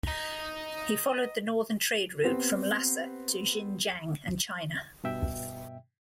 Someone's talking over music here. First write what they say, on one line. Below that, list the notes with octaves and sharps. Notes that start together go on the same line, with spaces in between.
He followed the northern trade route from Lhasa to Xinjiang and China.
D#5 A#5
B3 C4 G4
G2 B2 E5 G5